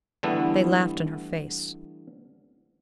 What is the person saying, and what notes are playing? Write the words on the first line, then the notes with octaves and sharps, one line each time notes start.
They laughed in her face.
D3 E3 G3 A3 B3 E4